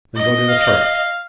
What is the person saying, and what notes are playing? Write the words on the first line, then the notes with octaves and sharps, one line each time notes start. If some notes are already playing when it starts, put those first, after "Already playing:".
Then go to the turret.
D#5
F5